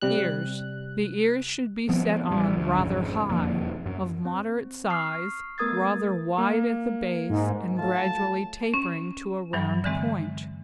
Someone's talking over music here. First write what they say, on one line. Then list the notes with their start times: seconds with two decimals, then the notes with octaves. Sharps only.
EARS--The ears should be set on rather high, of moderate size, rather wide at the base, and gradually tapering to a round point.
0.01 C3 G3 F#6
1.89 F3 B3 C4
2.30 A1 G3
2.56 D2
2.78 G#1 F2 C#3
3.28 E1 F2 A#3
3.86 F#2
4.25 C4
4.89 C#6 D#6 F6 C7
5.58 A3 B3 A#4 D#6 G#6 A6
6.38 A#3
7.30 G#2
7.79 F#3 A3 F4 A5
8.74 C#4
9.53 G2 E3 F#3
9.84 D3 E3 G#3 C4